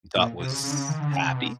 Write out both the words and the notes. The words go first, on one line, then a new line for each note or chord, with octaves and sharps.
you thought was happy?
A#2
C3
C#3
C#3
D3
C#3
D#3
D3
C#3
C3
B2